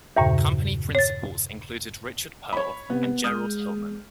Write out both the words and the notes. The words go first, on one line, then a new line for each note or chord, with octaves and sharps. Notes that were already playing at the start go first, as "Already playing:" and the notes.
Company principals included Richard Perle and Gerald Hillman.
E2 G2 A#2 C#3
C#5 A6
C#5 B5
C3 B3
G#3 D#6 F6 G6